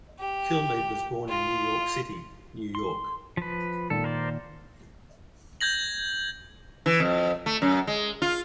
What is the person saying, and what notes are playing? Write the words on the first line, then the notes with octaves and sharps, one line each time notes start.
Kilmeade was born in New York City, New York.
G4
F4
C6
F3 B4
A#2 D#3 A4
A#4 C5 D5
G6 G#6 A#6 F#7
E3
F2
A3
F#2
G#3
F4